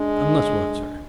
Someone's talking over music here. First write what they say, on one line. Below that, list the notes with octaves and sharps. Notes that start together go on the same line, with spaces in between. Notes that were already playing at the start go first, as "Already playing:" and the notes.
"Unless what, sir?"
Already playing: G#3 D4